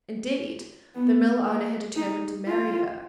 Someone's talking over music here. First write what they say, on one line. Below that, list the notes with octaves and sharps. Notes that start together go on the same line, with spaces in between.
Indeed, the mill owner had determined to marry her.
B3
A#3
D#4
F4